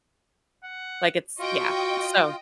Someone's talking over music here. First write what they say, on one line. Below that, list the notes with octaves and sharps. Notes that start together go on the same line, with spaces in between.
like it's, yeah, so
F#5
F4 F#4 D#5 G5 C#6